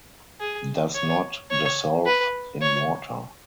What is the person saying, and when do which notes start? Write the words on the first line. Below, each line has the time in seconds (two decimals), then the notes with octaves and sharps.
Does not dissolve in water.
0.40 G#4
0.95 C#5
1.51 C#5
2.06 B4
2.62 C#5